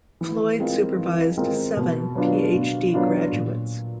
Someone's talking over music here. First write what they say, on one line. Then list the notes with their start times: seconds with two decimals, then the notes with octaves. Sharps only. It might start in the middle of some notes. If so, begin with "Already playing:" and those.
Floyd supervised seven PhD graduates.
0.21 E3
0.60 G#3 C4 F4 A#4
0.98 E3
1.37 G#3 C4 F4 A#4
1.77 B2
2.16 F#3 B3 D4 F4
2.55 B2
2.94 F#3 B3 D4 F4
3.32 A#2